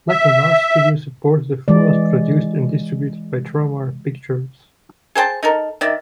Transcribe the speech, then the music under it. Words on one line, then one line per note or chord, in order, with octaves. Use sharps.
Lacking large studio support, the film was produced and distributed by Trimark Pictures.
E5
E3 G#3 D5
G#4 C5 G5 A5
D#4 A4 A#4
D#3 D5 E5